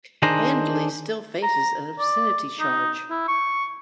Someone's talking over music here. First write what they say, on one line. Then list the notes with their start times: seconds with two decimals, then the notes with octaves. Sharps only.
Handley still faces an obscenity charge.
0.23 D#3 D4 G#4 C5 A#5
1.43 A#5
1.99 D5
2.60 D#4
3.11 E4
3.28 C#6